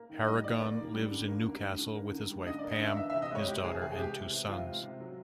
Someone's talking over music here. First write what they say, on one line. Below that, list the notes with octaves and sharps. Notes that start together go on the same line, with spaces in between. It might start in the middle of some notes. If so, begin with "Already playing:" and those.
Harragon lives in Newcastle with his wife Pam, his daughter and two sons.
Already playing: A#3
D#3
G3 D#5
D#3 D5
A#3
D#3
G3
D3
A#3
D3
G3
D3
A#3
D3
G3
D3 D#5
D5
A#3
D#5
D3
E5
E3 E5
E5
C3
D#5
G#3 C#5
C3 G4
E3 G#4
C3 G#4
G#4
G#3 G4
C3
E3
C3 F4
G#3
C3
F#3